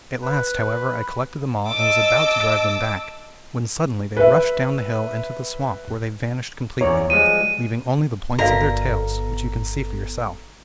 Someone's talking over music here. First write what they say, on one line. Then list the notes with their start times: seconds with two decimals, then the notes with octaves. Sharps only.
At last, however, I collected them all and was about to drive them back, when suddenly they rushed down the hill into the swamp, where they vanished completely, leaving only the points of their tails, which you can see for yourself.'
0.23 B4
1.68 D#5 A5 D6 E6
4.17 B4 E5
6.81 E2 C#5 D5 A#5
7.10 F3 G3 G#3 D#7
8.39 G1 B3 F#4 A4 A#4 D5 F5